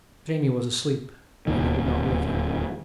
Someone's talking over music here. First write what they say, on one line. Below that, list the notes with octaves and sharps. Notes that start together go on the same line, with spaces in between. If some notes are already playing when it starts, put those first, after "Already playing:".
Jamie was asleep, and they would not wake him.
D1 D#2 D#3